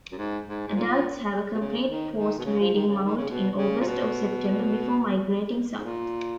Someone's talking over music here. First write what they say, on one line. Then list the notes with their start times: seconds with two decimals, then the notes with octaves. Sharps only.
Adults have a complete post-breeding moult in August or September before migrating south.
0.12 F#2
0.18 G#2
0.47 G#2
0.68 G#2
0.76 A#2
1.54 B2
1.60 C#3
1.89 D#3
2.16 D#3
2.39 B2
2.45 C#3
2.60 F3
2.74 D#3
2.87 C#3
3.04 D#3
3.17 C#3
3.29 B2
3.57 C#3
3.80 A#2
3.86 B2
5.75 G#2
5.84 A#2